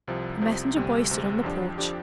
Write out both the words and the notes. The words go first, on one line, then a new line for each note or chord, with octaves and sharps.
A messenger boy stood on the porch.
C2 C3 F3
C2 C3 F3
D2 C3 G3
D2 C3 G3
F2 F3 D4 G4
F3 D4 G4